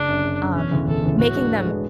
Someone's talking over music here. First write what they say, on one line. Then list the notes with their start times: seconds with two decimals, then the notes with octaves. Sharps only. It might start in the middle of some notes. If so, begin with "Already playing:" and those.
um, making them
Already playing: F#1 D4
0.08 F#2 D3
0.24 F#1
0.40 F#2 D3
0.55 E1 C#4
0.71 D2 C#3 E3
0.87 E1 A4
1.03 D2 C#3 E3
1.18 A2 F#4
1.35 G#3 B3 D4
1.50 A2
1.66 G#3 B3 D4